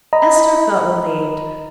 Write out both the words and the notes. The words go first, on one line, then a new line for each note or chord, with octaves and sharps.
Esther felt relieved.
D#5 A#5 B5